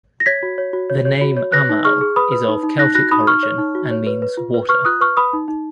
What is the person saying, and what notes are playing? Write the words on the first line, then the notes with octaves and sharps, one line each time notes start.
The name Amel is of Celtic origin and means water.
A#6
C#5 G#6 B6
F#4
C#5
F#4
C#5
C#5
F#4
C#5
B4 F#6 A#6
D#4
G#4 C#6 F6
G#4
B4 B5 D#6
B4
D#4
D#4
D#4 F#6 A#6
F#4 F#6 A#6
D#4 B5 D#6
D#4 C#6 F6
C#5
D#4
F#4
C#5
B4
B4
F4
B4
B4 C#6 F6
F4 D#6 F#6
B4 C#6 F6
B4 B5 D#6
D#4
D#4